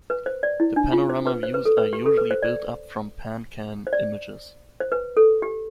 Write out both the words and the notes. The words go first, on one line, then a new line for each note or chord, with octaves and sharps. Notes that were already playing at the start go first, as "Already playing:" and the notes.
The panorama views are usually built up from PanCam images.
B4
C5
D5
E4
D4
F4
C5
B4
C5
B4
A4
B4
G4
A4
B4
C5
D5
C5
D5
C5
B4
A4
G4